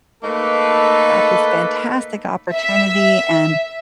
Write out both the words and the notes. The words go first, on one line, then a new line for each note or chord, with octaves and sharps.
got this fantastic opportunity and
A3 A#3 D#4 A4 B4
E5